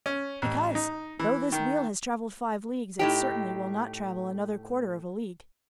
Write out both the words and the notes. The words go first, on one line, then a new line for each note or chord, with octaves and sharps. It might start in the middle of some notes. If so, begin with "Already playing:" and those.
"Because, though this wheel has travelled five leagues, it certainly will not travel another quarter of a league."
C#4
A1
D#4
E3
D#3
A2 D#4 G4